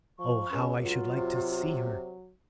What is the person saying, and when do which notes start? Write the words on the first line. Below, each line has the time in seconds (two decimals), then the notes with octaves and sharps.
Oh, how I should like to see her!
0.19 F3 C#6
0.52 C#2 C#4
0.82 F#3 F4
1.16 C3